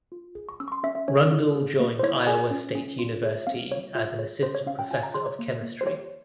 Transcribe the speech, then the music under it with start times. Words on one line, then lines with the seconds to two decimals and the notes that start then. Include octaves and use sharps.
Rundle joined Iowa State University as an assistant professor of chemistry.
0.12 F4
0.35 G#4
0.49 C#6
0.60 C#4 E6
0.68 C#6
0.72 C6
0.83 C#4 E5
0.95 E5
1.08 C#4 C#5
1.32 E4
1.56 G#4
1.80 A#3
1.99 C5
2.03 E4 C#5
2.27 G#4 G#5
2.51 C#4
2.75 C#4
2.99 F4
3.23 G#4
3.47 C4 F5
3.71 C4 C#5
3.95 F4 E5
4.18 G#4 C#5
4.43 C#4 C5
4.55 C#5
4.67 C#4 F5
4.79 G5
4.91 F4 G#5
5.03 A#5
5.14 G#4 C6
5.26 C#5
5.39 A#3
5.63 A#3
5.81 C5
5.86 G4 C#5